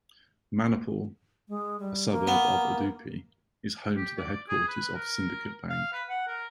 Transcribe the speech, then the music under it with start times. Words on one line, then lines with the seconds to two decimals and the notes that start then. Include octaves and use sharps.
Manipal, a suburb of Udupi, is home to the headquarters of Syndicate Bank.
1.48 G#3
1.80 G3
2.11 A#3
2.27 B3
3.97 G4
4.18 D5
4.48 G#4
4.68 B4
4.95 A#4
5.70 F5
5.93 B4
6.09 F#5
6.27 A#4